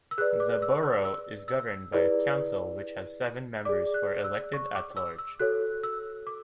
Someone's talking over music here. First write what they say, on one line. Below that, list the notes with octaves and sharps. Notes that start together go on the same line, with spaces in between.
The Borough is governed by a council which has seven members who are elected-at-large.
E6
G#4 B4 D5 F#6
D6
E6
E6
E6
E6
E4 G#4 B4 D5
G#4 D5 D6
F#6
E6
C#6
D6
E6
E6
F#4 A4 C#5 F#6
E6
D6